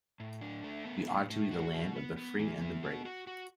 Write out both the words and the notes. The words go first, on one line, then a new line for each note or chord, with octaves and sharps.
We ought to be the land of the free and the brave.
A2
D4
A3
B3
A2
A2
F#4
B3
B3
B3
E3
B3
F#4
F#4
F#4